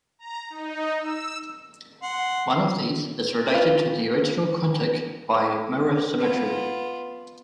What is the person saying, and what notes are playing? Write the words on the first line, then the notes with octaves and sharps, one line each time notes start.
One of these is related to the original quintic by mirror symmetry.
A#5
D#4
E6
F#5 C6
F4 B4
B3 F4